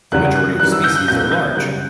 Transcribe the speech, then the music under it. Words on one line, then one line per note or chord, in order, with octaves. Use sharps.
The majority of species are large.
E2 C#3 G3 F#6
F#6
F#2 E3 G3 F#6
E6
G6
F#6
C#2 B2 F#3 G6
G6
F#2 C#3 G3 F#6